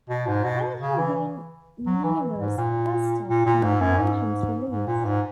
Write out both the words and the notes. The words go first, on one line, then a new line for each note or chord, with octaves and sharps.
There have also been numerous 'best of' compilations released.
B2
G#2
B2
C#3
E3
F#3
E3
G#2
A#2
A#2
A#2
G#2
F#2
G#2
G#2
A#2
G#2